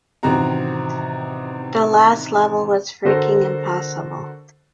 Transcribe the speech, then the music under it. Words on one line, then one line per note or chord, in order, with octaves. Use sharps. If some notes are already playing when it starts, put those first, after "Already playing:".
The last level was freaking impossible!
A1 C3 D#3 C4 F#4 A#5
D3 F#4 A4 A#4 C5